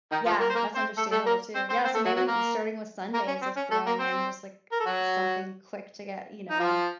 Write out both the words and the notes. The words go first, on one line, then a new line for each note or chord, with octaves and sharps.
Yeah. That's understandable too. Yeah. So maybe starting with Sundays of throwing in just, like, something quick to get, you know,
D#3 D#4
F3 F4
A#3 A#4
C5
A#3 A#4
C4 C5
A3 A4
A3 A4
A#3 A#4
C4 C5
C4 C5
C4 C5
A3 A4
F#3 F#4
F#3 F#4
A#3 A#4
A#3 A#4
C#4
C4
C#4
A3 A4
A#3 A#4
C4 C5
A#4
A4
F#3 F#4
D#4
F3 F4